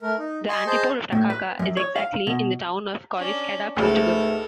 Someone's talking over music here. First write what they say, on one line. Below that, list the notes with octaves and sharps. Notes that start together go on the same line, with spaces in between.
The antipode of Takaka is exactly in the town of Coriscada, Portugal.
A3 A#4
D#4
D#5 G#5 C6 C#6
G#4 C5 D#5 A5 C6 G6
A2
B4
F#2
C#5
F5
B2
C#4 D4
C#2 G#2 B2 A3 A4 A#4